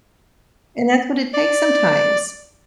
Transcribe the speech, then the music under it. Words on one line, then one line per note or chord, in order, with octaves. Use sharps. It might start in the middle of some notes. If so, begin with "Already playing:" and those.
And that's what it takes sometimes.
D5